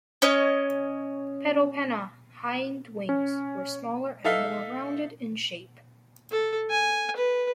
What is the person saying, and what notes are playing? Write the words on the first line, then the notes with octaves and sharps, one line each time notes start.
"Pedopenna" hind wings were smaller and more rounded in shape.
C#4 C#5 D#5
C#4
D#4 A4 E5 F5
A4
G#5
B4